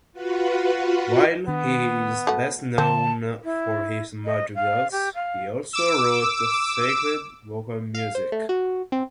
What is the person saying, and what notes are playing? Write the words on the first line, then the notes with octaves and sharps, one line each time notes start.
While he is best known for his madrigals, he also wrote sacred vocal music.
F4 F#4 B4 F#5
D#3 B3 D4
A3 F#4
D3 C4 A5
E4
D#5
F5
G4
F5
D6 E6
F5
C5
A3
F#4
C4